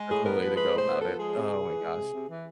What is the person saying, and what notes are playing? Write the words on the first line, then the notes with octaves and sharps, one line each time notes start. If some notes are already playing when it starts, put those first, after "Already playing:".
that's the way to go about it. Oh my gosh.
Already playing: G#3
A2 G#4
B3 A#4
F3 B4
G#3 B4
A2
C5
B3
F3 A4
G#3 G#4
C3
C3
E3
G#3
C3
C3
E3